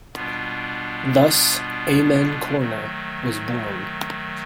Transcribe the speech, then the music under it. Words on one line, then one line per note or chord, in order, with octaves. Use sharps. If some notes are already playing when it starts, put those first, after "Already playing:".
Thus "Amen Corner" was born.
B2 G3 B3 D4 F4
D#3 F#3 A3